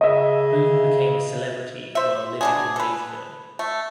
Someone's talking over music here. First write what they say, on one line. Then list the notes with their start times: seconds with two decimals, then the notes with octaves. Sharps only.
Boone became a celebrity while living in Maysville.
0.01 C#3 D#5 E5
1.95 C5 E5
2.41 B2 D4 G#4
2.76 A4 B4
3.59 A3